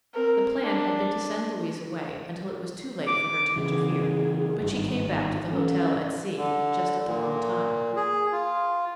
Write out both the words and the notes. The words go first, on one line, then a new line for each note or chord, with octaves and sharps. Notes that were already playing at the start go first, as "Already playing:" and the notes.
The plan had been to send Louise away until it was too late for her to interfere, but she came back to the hotel at C-- just at the wrong time.
C4 A#4
D4
D6
C#3 E3 G#4
G#1 G2 D#3 D#4
E3 C#4 A4
D3
A#2
G#4
F4